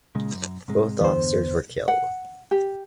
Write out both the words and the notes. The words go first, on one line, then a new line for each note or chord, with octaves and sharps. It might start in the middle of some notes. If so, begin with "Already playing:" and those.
Both officers were killed.
A#2 C#3 G#3
F#2
G#2 C3 G#3
E2 G2 D3 B3 C5
F#5
G4